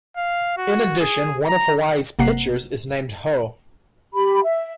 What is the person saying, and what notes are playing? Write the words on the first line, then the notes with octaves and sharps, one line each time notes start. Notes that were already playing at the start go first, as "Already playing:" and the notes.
In addition, one of Hawaii's pitchers is named Ho.
F5
F#4
G#4
A#5
G1 C3 A#3 F#5 C7
G4 B5
E5